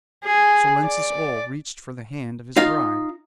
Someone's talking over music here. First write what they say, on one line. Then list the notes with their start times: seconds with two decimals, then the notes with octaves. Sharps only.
Salensus Oll reached for the hand of his bride.
0.25 G#4
0.85 D5
2.57 D#4 F4 F5